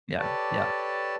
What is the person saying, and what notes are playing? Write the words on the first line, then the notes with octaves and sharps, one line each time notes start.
Yeah, yeah.
G4 A4 B4 C#5 D5 A5